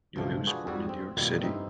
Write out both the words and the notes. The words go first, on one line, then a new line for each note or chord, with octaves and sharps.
Newley was born in New York City.
C#2 G2 B2 D#3 F3 A3
D4 F4 F#4 G#4 B4
F2 G3 F#4 G#4
C4
F2 B2 D#3 G3 A#3 B3
G2 C4 D#4 E4